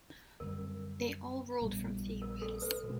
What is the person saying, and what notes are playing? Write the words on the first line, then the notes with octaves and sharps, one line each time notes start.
They all ruled from Thebes.
F#2 D3 G3 C4 A#4
A#1 A#2 G3 B3
A#4
A4
B4
B2 G#3